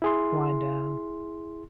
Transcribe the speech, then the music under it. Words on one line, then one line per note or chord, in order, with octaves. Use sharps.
Wind down.
E4 G#4 C6